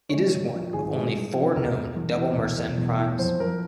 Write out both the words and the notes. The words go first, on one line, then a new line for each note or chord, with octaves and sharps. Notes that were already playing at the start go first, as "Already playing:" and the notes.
It is one of only four known double Mersenne primes.
G#3 C#5
G2
F3
G#1 G#4
G#3
G2
F3
E1 A#4
E1
E2
E3
E1
E1
E2
E3
F2 C5
F2 A#4